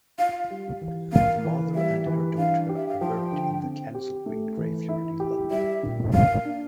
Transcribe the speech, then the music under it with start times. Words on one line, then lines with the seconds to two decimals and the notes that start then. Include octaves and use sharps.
The mother and her daughter are buried in the Kensal Green graveyard in London.
0.18 F4 F5
0.50 G3
0.81 E3
1.12 A#3 F5
1.44 E3
1.75 G3 E5
2.06 E3
2.38 D4 F5
2.69 G4
2.76 E5
2.88 F5
3.00 F3 G5
3.32 D3
3.63 C4
3.94 G4
4.26 A3
4.57 E3
4.89 E4
5.20 G4
5.51 G3 E5
5.83 A#2
6.14 A#3 F5
6.45 D4